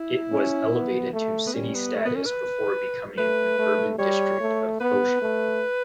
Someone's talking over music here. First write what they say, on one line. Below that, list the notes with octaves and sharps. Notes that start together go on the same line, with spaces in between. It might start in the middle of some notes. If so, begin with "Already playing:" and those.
It was elevated to city status before becoming an urban district of Foshan.
Already playing: E4
C#4
B3
A3
B3
G3 C#4
B3
A3
B3
C#4
B4
A3 B4
A3
G3 C#5
A3
B3 B4
A3